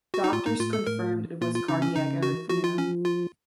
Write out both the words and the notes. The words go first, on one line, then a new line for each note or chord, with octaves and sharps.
Doctors confirmed it was cardiac arrhythmia.
F#4
D#4
A2 F4
A2 D#4
A2 F4
A4
A2 A#4
A#2 F4
F4
C#3 D#4
C#4
C#3 D#4
F#4
F3 F#4
F4
C#4
F4